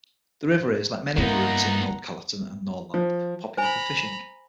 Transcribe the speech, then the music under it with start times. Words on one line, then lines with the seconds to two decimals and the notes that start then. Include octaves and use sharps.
The river is, like many other rivers in Nordkalotten and Norrland, popular for fishing.
1.18 G2 A#3 B3 D#4 E4 F#5 A#5
2.94 F3
3.57 C5 G#5 A#5 B5